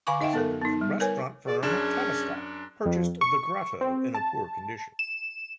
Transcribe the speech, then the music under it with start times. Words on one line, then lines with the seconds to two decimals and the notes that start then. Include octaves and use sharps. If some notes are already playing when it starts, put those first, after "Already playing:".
The Sunderland restaurant firm, Tavistock, purchased The Grotto in a poor condition.
0.07 D3 F5 G#5 C#6 D6
0.21 D#4 D#5 E5 F#5 G5
0.33 B3 A4 A#4
0.61 B3 D#4
0.81 G3
1.00 A#4 B4 C#5 G#5
1.47 G#4 D5
1.63 F#2 C#4 D4 G#4 E7
2.86 F2
3.21 C#6
3.81 C4
4.14 A5
4.99 E7